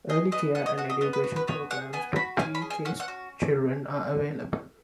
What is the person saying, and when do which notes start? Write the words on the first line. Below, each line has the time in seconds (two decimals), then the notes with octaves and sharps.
Early care and education programs for pre-k children are available.
0.09 G#4 D#5
0.32 B3 D#5
0.55 B3 F#5
0.66 D#5
0.78 F#4 F#5
0.90 D#5
1.01 B3 D#5
1.13 B4
1.24 F#4
1.36 B4
1.47 B3 C#5
1.70 G#4 F#5
1.93 B3 G#5
2.16 F#4 B5
2.39 C#4 G#5
2.55 B5
2.62 G#4
2.70 G#5
2.85 C#4 F#5
3.00 F#5
3.08 F#4